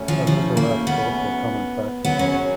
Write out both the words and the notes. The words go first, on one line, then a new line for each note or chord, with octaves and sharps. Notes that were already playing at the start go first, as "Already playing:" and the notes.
Nevertheless, both were common practices.
Already playing: C#3 F#3 A3 C#4
F3
F3
A#3
B3
F#2 C#3 F#3 B3
C#4